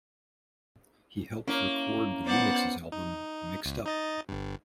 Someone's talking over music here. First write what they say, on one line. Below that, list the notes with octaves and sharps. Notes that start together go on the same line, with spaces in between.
He helped record the re-remixes album "Mixed Up".
A#3 C#4 E4 C#5
B3 C5 D5 F#5
D#4
C#2
D#4 D#5 A6
G1 G2